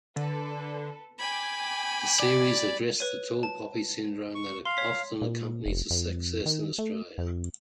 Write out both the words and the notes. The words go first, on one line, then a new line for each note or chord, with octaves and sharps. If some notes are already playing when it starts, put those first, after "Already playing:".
The series addressed the tall poppy syndrome that often accompanies success in Australia.
D3 A4 B4
G5 G#5 B5 D6 G#6
D5
B4 C#5 D#7
A5
C#6
F5 C6
C#5 B6
A#2
F1
F2
D#3
A3
F2